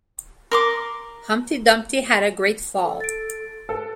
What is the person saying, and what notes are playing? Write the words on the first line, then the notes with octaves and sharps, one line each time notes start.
Humpty Dumpty had a great fall.
A#4 C6 D6
A4
A6 D7
A4 B4